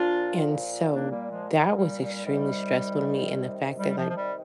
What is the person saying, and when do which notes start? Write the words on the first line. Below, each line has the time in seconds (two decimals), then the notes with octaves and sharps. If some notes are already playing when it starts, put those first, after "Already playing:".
and so, that was extremely stressful to me, and the fact that, like
Already playing: A#2 F3 D4 F4
0.93 A#3 D4
1.11 G3 A#3
1.30 F3 G#3
1.74 G3
2.01 G3
2.25 C3 D#3 G3
3.78 G3
3.97 F3
4.09 F3
4.16 G3